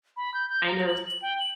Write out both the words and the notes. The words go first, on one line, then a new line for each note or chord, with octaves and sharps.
I know s
B5
G6
G6
A#5
F#7
F#7
G5
F#7